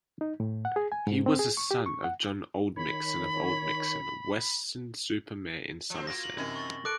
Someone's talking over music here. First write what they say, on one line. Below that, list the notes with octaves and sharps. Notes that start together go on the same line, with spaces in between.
He was a son of John Oldmixon of Oldmixon, Weston-super-Mare in Somerset.
D#4
A2
F#5
G#4
G#5
G#2
C4
G#4
C#6
G4
C#6
F#5
D#3 C#5 B5
F3 C4
A#3 F4 F#4 A#6
F#7
F#2 C3 E3 D#4 E4
C#6 A6
A4 D6 F#6 D7